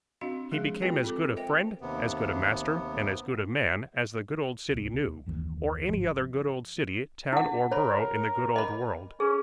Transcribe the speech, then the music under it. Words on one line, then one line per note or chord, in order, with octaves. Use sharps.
He became as good a friend, as good a master, and as good a man as the good old City knew, or any other good old city, town, or borough in the good old world.
C4 D4 F#4 D#5 F5
F3 G#3 D4 G#4 E5 F5
B3 F4 G4 B4 D#5 G5
C4 A4 D6
A#4 C5 D#5 E5 G5
D#2 C3 B3
D1 C2
F#1 D#2 B2 E3
G1 G#2 F3
E4 F#5
A#4 C#5 B5
D#5 B5
C#4 G#4